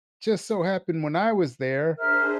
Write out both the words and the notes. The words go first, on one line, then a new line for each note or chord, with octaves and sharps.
just so happened when I was there,
D4 G#4 A#4 C5 E5 F6